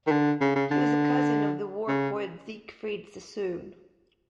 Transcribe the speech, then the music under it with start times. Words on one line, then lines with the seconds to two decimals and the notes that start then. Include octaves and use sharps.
He was a cousin of the war poet Siegfried Sassoon.
0.07 D#3
0.12 D3
0.41 C#3
0.56 C#3
0.71 D3
1.88 C#3